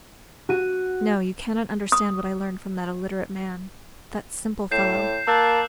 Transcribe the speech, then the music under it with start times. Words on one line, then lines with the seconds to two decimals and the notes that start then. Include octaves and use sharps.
"No, you can't understand what I learned from that illiterate man--that simple fellow."
0.49 F#4 D#7
1.92 D#6
4.71 A2 G6 C7 E7
5.28 A#3 A5 E6 F#6